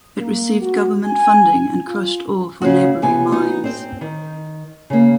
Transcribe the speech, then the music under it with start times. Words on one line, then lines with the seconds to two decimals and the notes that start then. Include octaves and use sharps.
It received Government funding and crushed ore for neighbouring mines.
0.18 A#3
0.62 F#4
1.06 G#5
1.87 F4
2.62 C#3 C4 C#4 F#4
3.02 C3 B3 G#5
3.32 B3 D#4 F#4
3.64 C4 C5
4.01 D#3
4.90 C#3 A#3